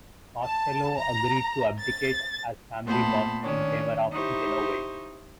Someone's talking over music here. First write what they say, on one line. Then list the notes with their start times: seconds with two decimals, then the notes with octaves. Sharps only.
Costello agreed to abdicate as family boss in favor of Genovese.
0.43 A5
0.99 A#5
1.80 A6
2.85 A#2 A3 B3 C5 A5 B5
3.43 D#3 C#4 D4
4.13 D#4 E4 G4 C5 C#6